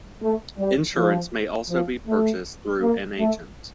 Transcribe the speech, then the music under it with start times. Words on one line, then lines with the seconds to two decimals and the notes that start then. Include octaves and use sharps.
Insurance may also be purchased through an agent.
0.22 A3
0.58 G3
0.95 F3
1.70 F3
2.07 A3
2.81 A#3
3.19 A3